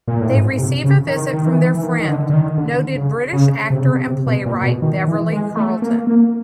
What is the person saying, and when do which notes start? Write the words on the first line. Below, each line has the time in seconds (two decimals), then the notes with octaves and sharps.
They receive a visit from their friend, noted British actor and playwright Beverly Carlton.
0.08 A#2
0.21 A2
0.33 G#2
0.58 C3
0.84 C#3
1.08 D#3
1.34 D#3
1.46 E3
1.75 E3
1.83 D#3
2.00 D#3
2.08 D3
2.30 D3
2.34 D#3
2.58 D3
2.95 C#3
3.33 C#3
3.70 C3
3.79 C#3
3.87 C3
4.08 C3
4.26 B2
4.46 A#2
4.63 B2
4.82 D#3
5.08 E3
5.33 G#3
5.57 A3
5.82 A#3
6.07 A#3